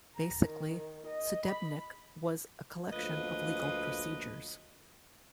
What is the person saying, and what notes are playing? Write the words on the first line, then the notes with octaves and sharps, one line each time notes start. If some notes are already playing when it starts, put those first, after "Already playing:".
Basically, "Sudebnik" was a collection of legal procedures.
A#5
D#3
D#5
B5
D2 F3 A#3 B4 D#5